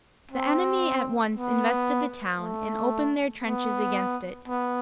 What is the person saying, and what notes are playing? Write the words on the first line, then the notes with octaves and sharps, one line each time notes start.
The enemy at once invested the town and opened their trenches against it.
C4
B3
A3
B3
B3